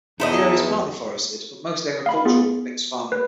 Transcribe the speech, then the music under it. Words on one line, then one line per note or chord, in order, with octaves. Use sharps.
The area is partly forested but mostly agricultural with mixed farming.
E2 D#4 A4 B4 D#5 E5
F5 B5
B3 F4 G#4
B4